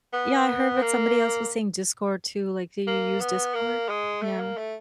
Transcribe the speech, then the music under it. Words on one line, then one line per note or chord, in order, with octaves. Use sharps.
Yeah, I heard what somebody else was saying Discord too. Like, do you use Discord? Yeah.
B3
A#3
A#3
B3
A#3
G#3
A3
A#3
A3